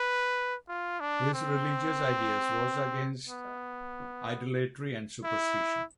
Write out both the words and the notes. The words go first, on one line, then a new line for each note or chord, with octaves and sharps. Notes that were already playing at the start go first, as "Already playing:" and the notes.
His religious ideas was against Idolatry and Superstition.
Already playing: B4
F4
D4
C4
B3
E4